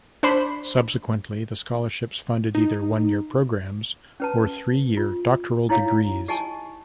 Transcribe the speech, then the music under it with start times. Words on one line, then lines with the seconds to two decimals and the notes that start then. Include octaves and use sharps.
Subsequently, the Scholarships funded either one-year programs or three-year doctoral degrees.
0.23 D4 C5 B5
2.55 D#4
4.20 C#4 B4 A5
4.97 F4
5.69 D#4 E4 C#5 F5 A#5
6.28 G4 D#5 G#5 A5 C#6